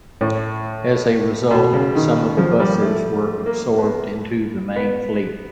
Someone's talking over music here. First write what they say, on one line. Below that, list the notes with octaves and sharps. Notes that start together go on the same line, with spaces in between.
As a result, some of the buses were absorbed into the main fleet.
A2
B2
C#3
D#3
F3
G3
A3
A#3
B3
B3